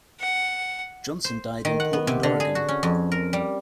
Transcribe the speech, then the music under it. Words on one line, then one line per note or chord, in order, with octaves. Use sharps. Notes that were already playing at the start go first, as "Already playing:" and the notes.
Johnson died in Portland, Oregon.
F#5
C5
D#3
F#5
B3
C3
D3
G#4
F#4
C#4
F2
A#4
G3